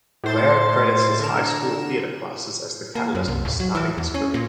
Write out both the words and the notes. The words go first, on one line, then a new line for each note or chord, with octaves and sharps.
Lehre credits his high school theatre classes as the catalyst for starting his career.
A2 C5 A6
D3 A#4 E7
A#3
F#2
C2
D1
F#3
E3
E2
C#4
A#2